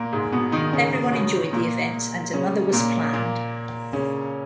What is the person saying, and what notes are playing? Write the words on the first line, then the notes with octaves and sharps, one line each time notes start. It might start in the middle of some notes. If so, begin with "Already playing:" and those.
Everyone enjoyed the event, and another was planned.
Already playing: A#2 A#3
G#2 G#3
B2 B3
D#3 D#4
C#3 C#4
B2 B3
A#2 A#3
C#3 C#4
A#2 A#3
A#2 A#3
C#3 C#4